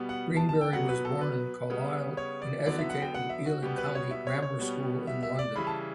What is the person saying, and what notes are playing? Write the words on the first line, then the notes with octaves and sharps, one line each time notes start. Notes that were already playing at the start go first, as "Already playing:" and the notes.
Greenbury was born in Carlisle and educated at Ealing County Grammar School in London.
Already playing: B2 G3 B3
F#5
A5
A5
G5
B2 F#3 B3 F#5
B4
A4
B4
C#3 G3 B3
C#5
D5
D3 F#3 B3 D5
E5
F#5
G5
F#5
E5
F#4
B2 G3 B3 G4
B4
C#5
E5
C#5
C#5
B2 G3 B3
E5
E5
D5
C#3 E3 G3 B5
A5